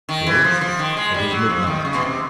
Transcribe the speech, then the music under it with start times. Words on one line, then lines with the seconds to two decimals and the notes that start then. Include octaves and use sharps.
"Yes, it is midnight."
0.09 D#3
0.27 E3
0.44 F3
0.61 F3
0.79 D#3
0.97 G#3
1.14 G3
1.32 F#3
1.50 F3
1.67 D#3
1.85 C#3
1.94 B2
2.03 C3